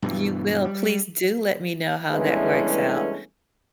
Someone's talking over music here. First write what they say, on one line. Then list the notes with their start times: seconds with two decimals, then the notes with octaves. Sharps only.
you will, please do let me know how that works out.
0.02 G2 B2 E3
0.64 G3
2.12 E2 G2 E3 G#3 A3 C#4